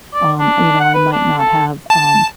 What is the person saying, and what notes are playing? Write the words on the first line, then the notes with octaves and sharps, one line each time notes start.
um, you know, I might not have, um,
D5
D4
F#5
B4
D4
A4
A5